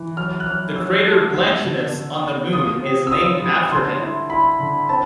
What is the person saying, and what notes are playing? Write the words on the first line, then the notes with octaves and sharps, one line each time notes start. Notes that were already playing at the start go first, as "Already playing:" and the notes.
The crater Blanchinus on the Moon is named after him.
Already playing: E3
F#3 F6
F#6
F#3 F6
F#3 E6
A3
B3 E6
D3
D3
B3
F4 D#6
C4
E6
F4 D#6
G3
D3 C6
E4
E4 B5
D3
C4 A5